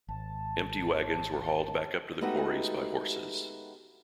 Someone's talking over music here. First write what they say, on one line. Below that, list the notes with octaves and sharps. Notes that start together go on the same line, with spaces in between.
Empty wagons were hauled back up to the quarries by horses.
G#1 A5
G#3 A3 B3 D#4 F#4 G4